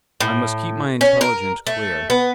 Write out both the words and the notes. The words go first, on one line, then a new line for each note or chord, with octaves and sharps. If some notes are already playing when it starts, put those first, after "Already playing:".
I must keep my intelligence clear.
A2
C#4
A#4
A3
B3